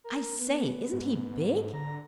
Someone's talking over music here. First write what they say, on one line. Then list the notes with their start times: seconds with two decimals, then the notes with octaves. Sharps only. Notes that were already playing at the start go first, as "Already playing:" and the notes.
"I say, isn't he big!"
0.04 A#4
0.39 B3
0.93 G#2
1.73 D3 A#5